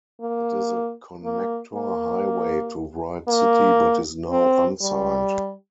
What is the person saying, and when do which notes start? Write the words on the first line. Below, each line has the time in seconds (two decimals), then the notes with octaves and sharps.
It is a connector highway to Wright City, but is now unsigned.
0.21 A#3
1.24 A#3
1.75 A#3
3.28 A#3
4.30 C4
4.81 G3